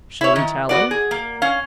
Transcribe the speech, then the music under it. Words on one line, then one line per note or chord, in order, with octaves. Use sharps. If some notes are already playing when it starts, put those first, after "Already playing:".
"Shall we tell her?"
E4 C#5
D#3
B3 F#4 D5
G#4
A#3
C#4 F5